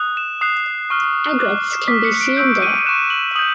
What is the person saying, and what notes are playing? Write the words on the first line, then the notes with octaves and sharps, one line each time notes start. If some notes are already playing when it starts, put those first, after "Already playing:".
Egrets can be seen there.
Already playing: D#6 F#6
E7
D#6 F#6 C7
C#6 F6
D6 F#6
D6 F6 B6
C#7
D7
C#6 E6 G6 D7
D#7
D#7
C#6 F#6 E7
F#7
D#6 G6 F#7